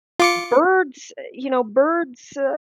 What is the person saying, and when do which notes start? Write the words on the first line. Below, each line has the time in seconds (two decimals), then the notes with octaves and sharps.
Birds, eh, you know, birds, uh,
0.19 F4 D6 C#7